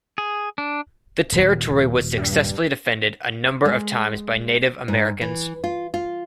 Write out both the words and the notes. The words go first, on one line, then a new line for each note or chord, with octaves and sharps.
The territory was successfully defended a number of times by Native Americans.
G#4
D4
D#1
G2
G#3
G#2
E3
F4
F4